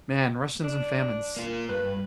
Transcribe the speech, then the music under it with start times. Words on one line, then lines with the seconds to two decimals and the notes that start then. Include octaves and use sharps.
man, Russians and famines.
0.64 D4
1.36 A#3 F4
1.69 G2 B4